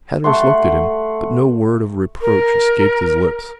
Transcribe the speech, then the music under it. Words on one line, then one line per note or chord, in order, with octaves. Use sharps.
Hatteras looked at him, but no word of reproach escaped his lips.
A3 F#5 C6
A#4